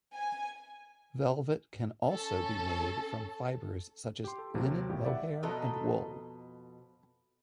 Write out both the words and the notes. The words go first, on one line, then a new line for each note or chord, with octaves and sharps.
Velvet can also be made from fibers such as linen, mohair, and wool.
G#5
C#4 A4
G4 C6
A4
D#2 C3 F#3
G#1 E4 G4
D5 E5 F#5
F2 B2 B3 A4 D#5 A#5